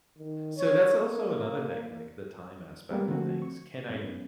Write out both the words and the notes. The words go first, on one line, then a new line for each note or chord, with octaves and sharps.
so, that's also another thing, like, the time aspect of things. Can I
D#3
C#5
A#3
G3 G#3 A#3 B3
D3 F3 A3 C4 F#4
C#6
F#2 B3 C#4